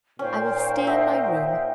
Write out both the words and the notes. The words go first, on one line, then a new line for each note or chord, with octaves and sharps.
I will stay in my room.
A#2 C#4 D#4 C5 G5
D#5 E5 F#5